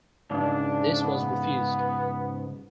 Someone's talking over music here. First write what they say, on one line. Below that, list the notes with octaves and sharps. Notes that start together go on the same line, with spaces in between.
This was refused.
G#2 C#3 D4
B3